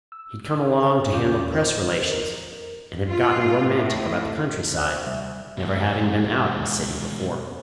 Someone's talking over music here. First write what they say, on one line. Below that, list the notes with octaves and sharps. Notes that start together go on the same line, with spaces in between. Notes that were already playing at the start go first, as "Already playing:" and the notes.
He'd come along to handle press relations and had gotten romantic about the countryside, never having been out of a city before.
E6
C5 A5
E2 C#4 F4 D6 G6
A#4 C5 D#5
A#4
F4
A2
C5 D5 F#6
C3 G3 E5
B2 G#3